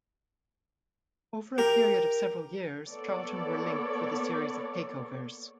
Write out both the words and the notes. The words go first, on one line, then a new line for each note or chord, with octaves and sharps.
Over a period of several years Charlton were linked with a series of takeovers.
G4 A#4
A#3 B3 A4 C#5 D5